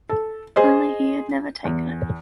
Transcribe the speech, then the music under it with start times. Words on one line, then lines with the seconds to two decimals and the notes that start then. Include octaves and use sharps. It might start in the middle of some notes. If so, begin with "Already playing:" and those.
Only he had never taken it.
0.09 A4
0.56 G#4 C5 D#5
1.65 E2